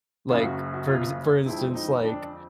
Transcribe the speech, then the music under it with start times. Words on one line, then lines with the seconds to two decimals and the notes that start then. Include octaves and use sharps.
like, for ex for instance, like,
0.29 F#1 F#2 C#3 F4
0.43 F#4
0.74 F#4
0.88 F4
1.46 F2 D3 F3 G#3 C4 E4
1.75 D#4
2.04 D4